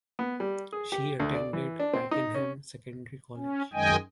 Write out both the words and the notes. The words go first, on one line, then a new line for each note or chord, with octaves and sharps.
She attended Pakenham Secondary College.
B3
G3
G#4
G4
D2
D5
E3
D4
C4
D#4
C#4
C#4
F#2 D#3 G#3 D#5 G5 G#5